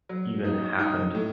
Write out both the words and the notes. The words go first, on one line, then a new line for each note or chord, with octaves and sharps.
even happened.
F#3
D#4
D#4
A2